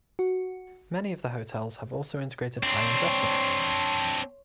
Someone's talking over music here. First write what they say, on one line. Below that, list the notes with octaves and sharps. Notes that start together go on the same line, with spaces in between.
Many of the hotels have also integrated high-end restaurants.
F#4
C4 D4 C#5 C6